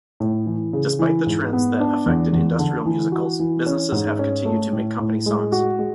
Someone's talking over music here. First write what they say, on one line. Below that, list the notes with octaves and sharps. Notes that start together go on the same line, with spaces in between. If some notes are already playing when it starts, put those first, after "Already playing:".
Despite the trends that affected industrial musicals, businesses have continued to make company songs.
A2
E3
C#3
E3
G#2
B3
D4
E2
E2
D3
E3
F#4
E3
C#4
G#2
C#4
A3
A2
A2
G#3
F#4
G#3